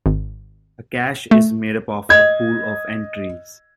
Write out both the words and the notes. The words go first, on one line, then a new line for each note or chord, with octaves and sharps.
A cache is made up of a pool of entries.
G#1
A3
D#5 G#6